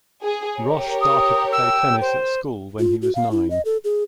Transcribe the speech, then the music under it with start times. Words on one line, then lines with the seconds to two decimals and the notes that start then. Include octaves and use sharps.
Roche started to play tennis at school when he was nine.
0.23 G#4
0.59 G4 A#4 C#5
1.01 D#6
1.52 G5 E6
2.01 C5
2.79 F4
3.02 F#4
3.15 F5
3.31 E4
3.50 D#5
3.65 A4
3.84 G#4